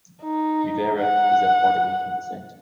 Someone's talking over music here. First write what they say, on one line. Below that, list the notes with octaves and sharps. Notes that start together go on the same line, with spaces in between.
Rivera is of Puerto Rican descent.
D#4
F#5